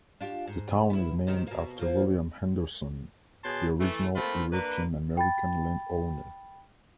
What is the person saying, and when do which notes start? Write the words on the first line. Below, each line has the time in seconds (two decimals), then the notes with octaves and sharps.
The town is named after William Henderson, the original European-American land owner.
0.21 D4 F4 G4
0.48 G#2
0.90 B3 E4
1.27 C3 D#3 D#4
1.47 B2 A#3
1.79 F3 A#3
3.44 B2 G#4 C#5 A5 C6
3.80 E3 A3
4.16 A3 A#3 C4 F4 B5
4.52 A#3 D4 B4
5.17 G5 B5 A6